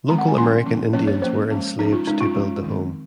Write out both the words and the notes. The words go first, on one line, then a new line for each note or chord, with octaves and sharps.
Local American Indians were enslaved to build the home.
D#3 G#3 C4 A#5
F#5
G#5
F3 A#3 C#4 C6
F3 A#3 C#4
F3 A#3 C#4 C#5
C#5
F3 A#3 C#4 C5
F3 G#3 C#4
F3 G#3 C#4 D#4
F4
F3 G#3 C#4 D#4
F4
F3 G#3 C#4
D#3 G#3 C4